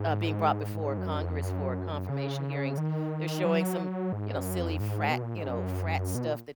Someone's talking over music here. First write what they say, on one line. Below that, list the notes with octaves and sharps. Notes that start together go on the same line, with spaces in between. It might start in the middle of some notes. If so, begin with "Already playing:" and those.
uh, being brought before Congress for confirmation hearings. They're showing some you know, silly frat you know, frat stuff that
Already playing: G#2
G#2
F#2
F2
F#2
C#3
D#3
F#3
G#2
F#2
F2
G#2
B2
A#2
G#2
F#2
B2
A#2